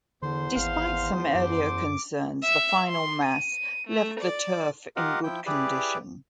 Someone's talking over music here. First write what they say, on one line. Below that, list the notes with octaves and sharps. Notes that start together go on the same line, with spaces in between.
Despite some earlier concerns the final mass left the turf in good condition.
E2 D3 C5 C6
G#1 F5
F#2 D6
E5
C6
D#7
A3
D5
F4 G4 A#4 D#5 F5 F#5
F3 E4 G5
E4 G4 G#4 B4 D5